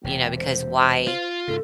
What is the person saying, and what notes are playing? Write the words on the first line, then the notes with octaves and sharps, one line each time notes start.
You know, because why
E1 C3 G5
C5
F4
G#2 C#3 A4